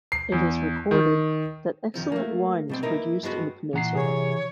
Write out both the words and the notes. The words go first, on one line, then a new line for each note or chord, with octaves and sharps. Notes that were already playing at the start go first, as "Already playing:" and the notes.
It is recorded that excellent wine was produced in the peninsula.
C7
E2
D#3
F2 D#3 F3 C4
A3 A#3
B2 G3 C4
A#3 D#4 E4 A#4 B4
G2 G3 G#3 B3 E4 F#4
A#2 E3 F#5 A#5 C7
C3 G#4 C#5